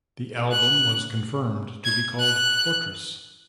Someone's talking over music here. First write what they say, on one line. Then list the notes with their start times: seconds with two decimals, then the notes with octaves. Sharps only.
The album was confirmed to be called "Fortress".
0.51 F#6
1.85 G#6
2.19 F#6